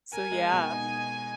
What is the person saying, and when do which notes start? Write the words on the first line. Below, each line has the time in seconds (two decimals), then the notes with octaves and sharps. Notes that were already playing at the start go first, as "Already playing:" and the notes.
So, yeah.
0.13 A#4 G#5
0.32 G#3
0.52 B2
0.71 D#4